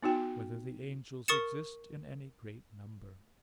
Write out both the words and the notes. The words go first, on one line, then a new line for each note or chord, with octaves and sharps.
Whether the Angels Exist in Any Great Number?
B3 D#4 F#4 G5
A#4 C#6 D#6 A6 C#7 E7